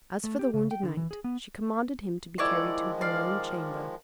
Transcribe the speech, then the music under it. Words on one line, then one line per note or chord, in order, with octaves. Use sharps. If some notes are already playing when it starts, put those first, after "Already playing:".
As for the wounded knight she commanded him to be carried to her own chamber.
A3
G4
C#3
G5
D3
E3
G#4
B3
D#3 F3 G#3 E4 D5 C#6
D5 F5